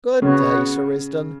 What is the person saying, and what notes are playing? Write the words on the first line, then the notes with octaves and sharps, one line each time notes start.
Good day, Sir Risdon.
C#3 B3 F#4 C#5